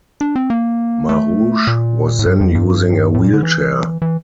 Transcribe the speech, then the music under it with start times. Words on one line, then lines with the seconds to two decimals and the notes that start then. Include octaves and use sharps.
Maruge was then using a wheelchair.
0.21 D4
0.36 C4
0.50 A#3
1.09 A3
1.67 A#2
2.19 A2
2.26 G2
2.41 F2
2.55 G2
3.14 A2
3.24 A#2
3.33 D3
3.43 E3
4.02 E3